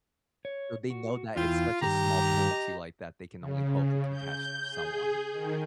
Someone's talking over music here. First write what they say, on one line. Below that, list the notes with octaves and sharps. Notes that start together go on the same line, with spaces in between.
So they know that it's such a small pool too, like, that they can only hope they can catch someone.
C#5
F#4
E2 E4 F4 G5
G2 D#3 G4 A#5
D#5
C#3
G6
G#4
D#3